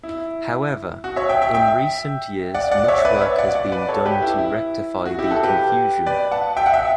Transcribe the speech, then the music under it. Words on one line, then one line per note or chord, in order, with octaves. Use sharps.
However, in recent years much work has been done to rectify the confusion.
E4
F#4
C#5 E5
E5 G5
E5 G5
E5 G5
D5 F#5
D5 F#5
D5
C#5 E5
B4 D5
C#5 E5
D5 F#5
D5 F#5
B4 D5
A4 C#5
G4 B4
E4
E4
F#4
E4 G4
F#4 A4
G4 B4
B4 D5
F#5 A5
E5 G5
F#5
E5 G5